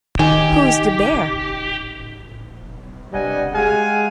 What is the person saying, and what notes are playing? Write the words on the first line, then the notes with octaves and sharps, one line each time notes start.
Who's the bear?
D#3 D#4 G4 G#5
G2 C3 G3 D#5 F#5 G#5
G#3 G4 G#4 F5 F#5 G#5